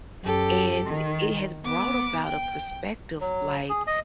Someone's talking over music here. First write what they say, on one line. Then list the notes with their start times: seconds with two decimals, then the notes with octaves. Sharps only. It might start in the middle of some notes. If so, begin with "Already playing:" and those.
And it has brought about a perspective like,
0.22 F#2 G4 A4
0.86 D#3
1.65 B3 D6
2.25 G5
3.21 F#3
3.69 G#4
3.87 D#5